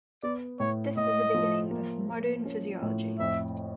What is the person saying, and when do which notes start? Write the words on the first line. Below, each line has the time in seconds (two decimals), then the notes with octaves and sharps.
This was the beginning of modern physiology.
0.23 B3 D5
0.60 A2 C#5
0.97 A2 D#5
1.34 F3
1.71 A#3
2.08 A#3
2.45 C#4
2.82 A2
3.19 F2 E5